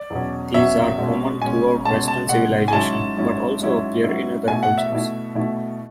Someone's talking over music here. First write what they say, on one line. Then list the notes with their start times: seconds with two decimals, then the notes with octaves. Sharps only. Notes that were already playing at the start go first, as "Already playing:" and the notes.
These are common throughout Western civilization, but also appear in other cultures.
Already playing: D5
0.10 E2 B2 F#3 C#4
0.54 E2 B2 F#3 C#4 E5
0.98 B2 G#3 C#4
1.41 B2 G#3 C#4 G#5
1.85 B2 G#3 C#4 A5
2.08 A5
2.29 B2 G#3 C#4 F#5
2.68 G#5
2.72 G#2 F#3 C#4 E4 A5
3.17 G#2 F#3 C#4 E4
3.60 G#2 F#3 C#4 E4
4.04 G#2 F#3 C#4 E4
4.48 B2 A3 E4 G#5
4.63 F#5
4.78 E5
4.92 B2 A3 E4
5.35 B2 A3 E4